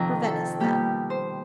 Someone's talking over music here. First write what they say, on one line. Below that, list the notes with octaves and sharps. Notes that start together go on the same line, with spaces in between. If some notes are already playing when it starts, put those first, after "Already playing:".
'For Venice, then.
Already playing: F2 C3 D#3 A#4
A4
B2 G3 A#3 G4
C5